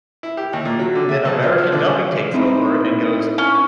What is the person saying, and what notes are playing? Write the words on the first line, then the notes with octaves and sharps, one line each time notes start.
Then American dubbing takes over and goes,
E4
G4
D#2
A#2
F#3
D3
E5
B1
F4
F3
D3
C#4
C4 D#4 E4
C#4